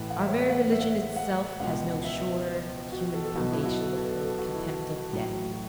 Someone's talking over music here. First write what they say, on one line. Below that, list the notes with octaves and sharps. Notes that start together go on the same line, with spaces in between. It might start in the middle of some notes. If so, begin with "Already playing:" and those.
Our very religion itself has no surer human foundation than the contempt of death.
Already playing: A1 A2 E3 B4
F#5
E5
C#5
F#5
E5
F#5
E5
F#5
C#2 B2 B3 F#5
E5
F#4
A4
A4
B1 B2 B3 F#4
E4
E4
F#4
A4
B4
A4
A4
F#4
E4
F#4
A1 A2 F#3
F#4